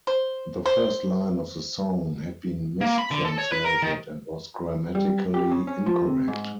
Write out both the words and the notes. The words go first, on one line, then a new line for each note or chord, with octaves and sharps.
The first line of the song had been mistranslated and was grammatically incorrect.
C5
C5
A#3
B5
D3
A4
C#5
B4
A#4
D#3
G3
G4
C#3
C#4
F3
C3
G#2